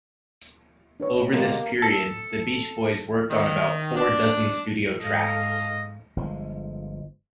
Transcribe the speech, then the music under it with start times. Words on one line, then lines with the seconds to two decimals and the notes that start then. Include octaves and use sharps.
Over this period, the Beach Boys worked on about four dozen studio tracks.
1.00 D4 B4 C#5
1.34 B2 D3 G#3 A#3 B3 G4
1.82 A4
3.30 D#3
3.96 D4
5.00 G#2 A4 D#5 F5
6.16 G1 F3 G#3